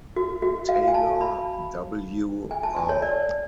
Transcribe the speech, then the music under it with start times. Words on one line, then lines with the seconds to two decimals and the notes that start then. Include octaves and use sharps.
Taylor, W. R.
0.16 F#4
0.42 F#4
0.69 F5
0.88 G#5
0.95 A5
1.21 B5
2.51 G#5
2.63 A5
2.76 G#5
2.89 C#5
3.02 D5